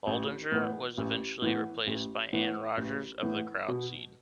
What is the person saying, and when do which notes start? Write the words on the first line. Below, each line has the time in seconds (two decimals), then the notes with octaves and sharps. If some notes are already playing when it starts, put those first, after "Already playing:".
Baldinger was eventually replaced by Anne Rogers of The Crowd Scene.
0.07 A1
0.52 A2 E3 B3
0.98 A1
1.42 A2 E3 B3
1.87 A1
2.33 A2 E3 B3
2.77 A1
3.22 A2 E3 B3
3.68 B2